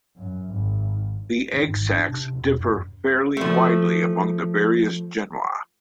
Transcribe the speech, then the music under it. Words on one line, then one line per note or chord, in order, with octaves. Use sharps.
The egg sacs differ fairly widely among the various genera.
F#2
G#1
D#3
G#1
D4
C3
E1
F#2
F3 A3